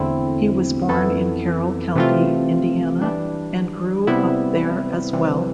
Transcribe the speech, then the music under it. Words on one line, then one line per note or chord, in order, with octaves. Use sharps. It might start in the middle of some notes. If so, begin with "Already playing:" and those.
He was born in Carroll County, Indiana and grew up there as well.
Already playing: E2 D3 A3 C4 E4
F2 E3 B3 E4 A4
C3 E3 A3 C4 F4
E3 G3 D4
C3 G3 B3 E4
C3 E3 G3